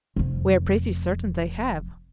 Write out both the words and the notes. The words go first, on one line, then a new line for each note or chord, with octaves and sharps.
"We are pretty certain they have."
F1 F2